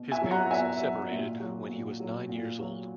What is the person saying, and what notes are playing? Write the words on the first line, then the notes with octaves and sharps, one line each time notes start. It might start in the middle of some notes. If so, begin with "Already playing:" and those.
His parents separated when he was nine years old.
Already playing: B2
E5 G#5
F#3
F#5 A#5
B2 E5 G#5
F#3
A#2
F#3
A#2
F#3
A#2
F#3